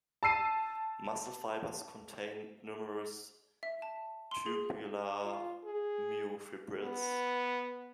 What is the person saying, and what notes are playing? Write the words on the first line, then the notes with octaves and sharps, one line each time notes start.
Muscle fibers contain numerous tubular myofibrils.
A5 E6 C7 D#7
E5
A5
C6
G#4
F4
G#4
B3